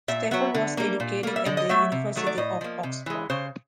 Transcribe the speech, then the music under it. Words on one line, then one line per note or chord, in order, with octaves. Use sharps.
Stafford was educated at the University of Oxford.
A#2 E5
F#3 B3 E5
D3
G3 A#3
A#2
G3 A#3
E5
D3 D#5
D#5
F#3 A3 E5
C3
D#3 F#3 A3
D5
A2 D#5
F3 A#3
C3
E3 G#3
C#3 C5